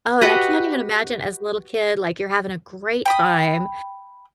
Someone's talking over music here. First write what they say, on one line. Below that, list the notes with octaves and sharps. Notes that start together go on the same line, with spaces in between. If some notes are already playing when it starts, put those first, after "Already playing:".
Oh, and I can't even imagine as a little kid, like, you're having a great time,
F#4 G4 B4 D#5
G5 B5 D#6